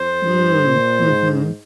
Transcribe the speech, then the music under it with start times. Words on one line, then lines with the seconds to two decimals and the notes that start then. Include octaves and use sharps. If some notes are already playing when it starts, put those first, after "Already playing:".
Mm, mhm.
Already playing: F2 C5
0.26 G2
0.67 A#2
1.07 G#2